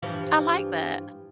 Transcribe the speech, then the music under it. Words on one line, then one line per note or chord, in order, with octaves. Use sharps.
I like that.
G2 E3 F3